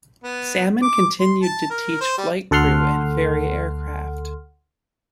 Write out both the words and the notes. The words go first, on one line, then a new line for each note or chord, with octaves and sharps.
Salmon continued to teach flight crew and ferry aircraft.
B3
D6
C6
A5
A#4
C5
G3
D2 A4 F#5 C6 F6